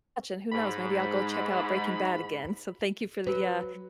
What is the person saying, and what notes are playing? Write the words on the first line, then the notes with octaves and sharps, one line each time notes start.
and who knows? Maybe I'll go check out Breaking Bad again. So thank you for the, uh
G#2 B5
F#3 B4